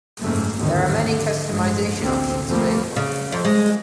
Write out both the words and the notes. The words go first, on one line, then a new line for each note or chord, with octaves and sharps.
There are many customization options available.
F#1 G#2 A3 A#3
G#1 D#2 A2 D3 D#3 F3
D3
A1 G2 F3 G#3
A1 D2 A#3 C4
F2 F3 G3 A3 A#3
C#3
F2
G#3